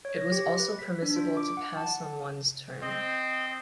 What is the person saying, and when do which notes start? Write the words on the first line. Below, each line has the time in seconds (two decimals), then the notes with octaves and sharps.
It was also permissible to pass on one's turn.
0.05 C#5
0.18 A#6
0.32 G4
0.59 B4
0.79 B6
1.02 D4
1.16 F4
1.37 D6
1.57 F#5
1.77 A5
2.82 C4 D#5